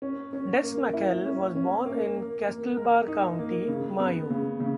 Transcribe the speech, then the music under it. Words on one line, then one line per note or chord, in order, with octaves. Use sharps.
Des MacHale was born in Castlebar, County Mayo.
C#4
C#4
A#3
E4
C#4
C#4
A#3
A#3
A#3
A#4
D#4
A#3
C#3
B3
C#3
C#3